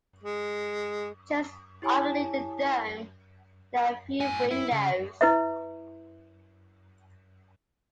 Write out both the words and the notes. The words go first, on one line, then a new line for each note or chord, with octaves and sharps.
Just underneath the dome there are a few windows.
G#3
E4 G4 C#5 G#5 A5
A2 G#5
E4
C#3
E4 B4 E5